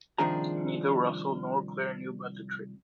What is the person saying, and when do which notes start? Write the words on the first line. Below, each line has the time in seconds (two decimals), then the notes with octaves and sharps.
Neither Russell nor Claire knew about the trade.
0.18 C2 D#3 F3 D4 G#4 A#5